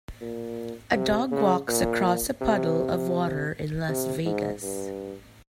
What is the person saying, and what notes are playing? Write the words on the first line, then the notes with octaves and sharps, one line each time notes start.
A dog walks across a puddle of water in Las Vegas.
A#2
C3
C#3
A#2
C3
C3
G#2
G2